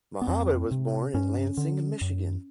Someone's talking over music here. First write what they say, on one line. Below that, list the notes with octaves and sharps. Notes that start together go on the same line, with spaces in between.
Muhammad was born in Lansing, Michigan.
B3
F2 C4
C3
G2 C#4
D3
F#2